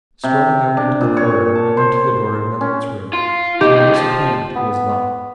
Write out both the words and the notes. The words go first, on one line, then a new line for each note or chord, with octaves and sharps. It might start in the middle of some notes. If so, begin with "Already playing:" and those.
Strolling out into the corridor, I went to the door of Millard's room. To my disappointment, it was locked.
C3
D4
A#2
C#5
A5
C5
C#4
F4
A2 D#4 G4
F3
B3